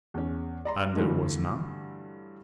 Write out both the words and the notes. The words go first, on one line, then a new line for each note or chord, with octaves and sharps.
"And there was none?"
E2 C#4
D5 A#5 C6
G2 D3 E3 F#3 G3 A3